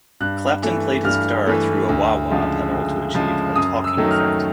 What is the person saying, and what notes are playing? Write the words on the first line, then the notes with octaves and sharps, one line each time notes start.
Clapton played his guitar through a wah-wah pedal to achieve a "talking-effect".
G2 F#6
E3 A3
G2 F6
E3 A3
D2
C#3 F3 G#3
D2
C#3 F3 G#3
F#2 D#6
E6
D#3 F#3 A3
F6